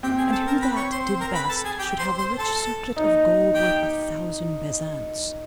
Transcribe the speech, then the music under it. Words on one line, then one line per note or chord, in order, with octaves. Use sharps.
And who that did best should have a rich circlet of gold worth a thousand besants.
C4 G4 G5
G#4 G#5
A4 A5
A#4 A#5
B4 B5
C#5 C#6
C5 C6
C5 C6
A#4 A#5
B4 B5
A4 A5
G#4 G#5
G4 G5
C5 C6
C5 C6
A4 A5
D#4
G4 G5